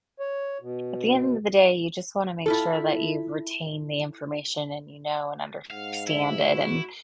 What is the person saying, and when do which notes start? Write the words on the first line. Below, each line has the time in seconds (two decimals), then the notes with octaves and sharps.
at the end of the day, you just wanna make sure that you've retained the information and you know and understand it and
0.20 C#5
0.61 B2
2.46 E4 F4 A4
5.70 G#2 F5 F#5
6.08 E4 E5
6.52 F#4